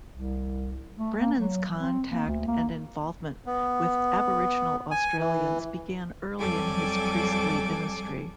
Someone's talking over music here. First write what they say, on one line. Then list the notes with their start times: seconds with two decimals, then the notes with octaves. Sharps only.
Brennan's contact and involvement with Aboriginal Australians began early in his priestly ministry.
0.12 C2
0.97 A3
1.20 A#3
1.38 F#3
1.79 C4
2.10 A#3
2.27 D2
2.47 A#3
3.46 B3
4.91 G#5
5.19 E3
6.38 F2 F#3 G3 A4 G#5 D6